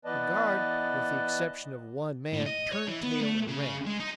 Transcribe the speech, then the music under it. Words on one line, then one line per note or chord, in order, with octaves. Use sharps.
The guard, with the exception of one man, turned tail and ran.
E3 B3 B4 D5 D#5 A5
A2
D#5
C#5
E3
B3
A3
C#3
G#3
D#4